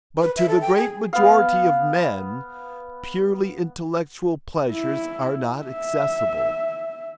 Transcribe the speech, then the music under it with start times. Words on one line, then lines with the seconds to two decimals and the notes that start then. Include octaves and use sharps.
But to the great majority of men purely intellectual pleasures are not accessible.
0.21 B4
0.37 E5
0.49 A4
0.61 G5
0.77 G#4
1.13 B3 F5
4.73 E4
5.64 E5